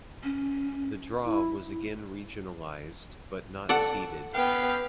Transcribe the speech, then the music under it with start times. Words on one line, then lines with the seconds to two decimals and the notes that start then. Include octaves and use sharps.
The draw was again regionalised but not seeded.
0.24 C#4
1.26 E4
3.69 A4 D5 F#5
4.35 B3 C#4 G4 F5 G5